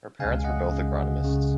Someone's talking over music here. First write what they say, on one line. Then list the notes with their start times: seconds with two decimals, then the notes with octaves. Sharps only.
Her parents were both agronomists.
0.19 C#3 F5 G#5
0.25 C#2
0.44 D#5 F#5
0.69 C#2 C#3
1.20 C#2 C#3